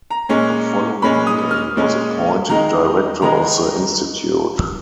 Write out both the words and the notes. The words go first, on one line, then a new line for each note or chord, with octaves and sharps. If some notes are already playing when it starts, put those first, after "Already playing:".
The following year, he was appointed Director of the Institute.
A#5
A#2 G#3 C#4
A#2 G#3 C#4 B5
D#6
F6
A#2 G#3 C#4
D#3 G#3 D#4 A#5
D#3 G#3 D#4 A#5